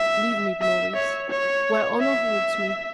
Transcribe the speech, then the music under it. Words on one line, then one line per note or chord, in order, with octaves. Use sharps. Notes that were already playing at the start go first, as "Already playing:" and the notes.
Leave me, Maurice, where honor holds me.
Already playing: E5
E5
C#5
C#5
E5